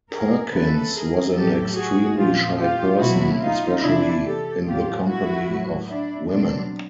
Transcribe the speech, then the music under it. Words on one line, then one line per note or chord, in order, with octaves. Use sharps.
Perkins was an extremely shy person, especially in the company of women.
G#4 A#4
C#3 E3 A4 B4
G#4 A#4
A2 F#3 G4 A4
F#4 G#4
A#2 F3 F4 G4
F4 G4
B2 F#3 E4 F#4
D#4 F4
C3 E3 D4 E4
G4 A4
A2 F#3 F4 G4
E4 F#4
A2 F#3
D4 E4
B2 F#3 C4 D4